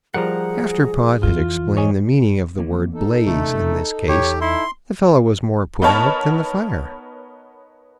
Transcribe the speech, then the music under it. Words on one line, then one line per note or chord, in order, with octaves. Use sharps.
After Pod had explained the meaning of the word "blaze" in this case, the fellow was more put out than the fire.
F3 G3 G#4 A#4 F#5 A#5
F2 E3 F4
C#5 D#5 G#5
E3 A#3 B3
D#4 A4
E1 C3 A3 C#4
E2 G4 C#5
E4 C6
B3 D#4 A#4 B4 C#5 A5